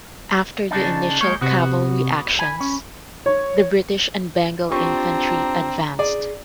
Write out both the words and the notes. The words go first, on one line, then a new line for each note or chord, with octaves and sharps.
After the initial cavalry actions, the British and Bengal infantry advanced.
C#3 D4 D#4 A5
G#3 A#3 C#5 G6
C3 B3 F#4
G#5 B5
C#4
C#5
C4 D4 F4 G4 A#5 C#6
G#4 D5